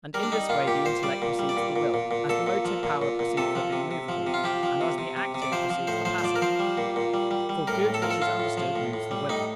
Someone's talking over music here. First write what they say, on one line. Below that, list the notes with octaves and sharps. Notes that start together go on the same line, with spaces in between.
And in this way the intellect precedes the will, as the motive power precedes the thing movable, and as the active precedes the passive; for good which is understood moves the will.
G3 A#4
D4
G3 D#4
A#2 F4
A#2 G4
A#2 C5
G3 D5
A#2
G3
D5
A#2
A#2
A#2
A#2
A#2 A4
A#2
F3
A#2
A#2
A#2
C3 A4
F3
C3
C3
F3
C3
F4
F3 G4
F3
C3
C3
C3
C3
D5
F3 C5
F3
A2 C5
F3 C5
C5
F3 D5
A#4
F3 C5
G3
A#2
A#2
G3
G3
G3
A2 A#4
A2
A4
F3 A#4
A4
A2 F4
A2
F3
A2
A2
G3
A2 D#4